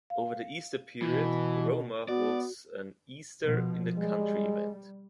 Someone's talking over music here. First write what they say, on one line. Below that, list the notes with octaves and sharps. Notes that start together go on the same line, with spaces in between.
Over the Easter period, Roma holds an Easter in the Country event.
F5
B2 E3
B3 F#4 D5
B2 F3
G3 G#3